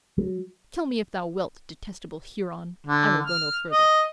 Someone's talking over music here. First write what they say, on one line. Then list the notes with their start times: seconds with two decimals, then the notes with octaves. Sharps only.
"Kill me if thou wilt, detestable Huron; I will go no further."
0.18 F#3
2.87 D3
3.26 F6
3.71 D#5